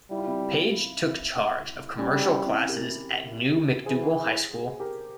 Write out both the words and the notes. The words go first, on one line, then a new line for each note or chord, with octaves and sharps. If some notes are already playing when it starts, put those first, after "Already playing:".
Page took charge of Commercial Classes at new McDougall High School.
G3 E4
F4
C4 E4
G3 C#4
C#4
C4 E4
G4 A#4
E3 G#4 C5
G4 A#4